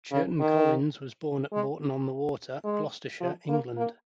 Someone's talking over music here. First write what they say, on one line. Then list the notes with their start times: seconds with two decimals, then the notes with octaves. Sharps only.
Churton Collins was born at Bourton-on-the-Water, Gloucestershire, England.
0.11 C#3
0.40 D#3
1.53 G#3
2.64 G#3
3.21 F3
3.49 A#3
3.77 A#3